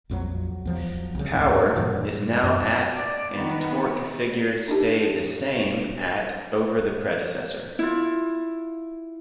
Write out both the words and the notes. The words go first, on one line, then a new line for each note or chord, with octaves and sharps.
Power is now at and torque figures stay the same at over the predecessor.
A#1 F2 F#3
E2 F3 F#3
C2 C#3
D#2 G#2 C#4
G2 A#2 E3 G3
F#2
D5
D#3 B3
D4 D#4 G4 A5
E4 F4